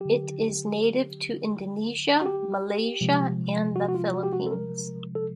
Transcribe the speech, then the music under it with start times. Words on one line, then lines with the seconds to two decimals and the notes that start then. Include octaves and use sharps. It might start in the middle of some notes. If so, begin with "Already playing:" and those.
It is native to Indonesia, Malaysia, and the Philippines.
0.01 D3 F#3 G4
2.21 F#4
2.26 G4
3.01 C3 F3 G#3
3.76 F#4
3.88 F#4
3.95 F4
4.14 F#4
4.23 G4
4.33 F#4
4.47 A4
4.51 A#4
5.15 A4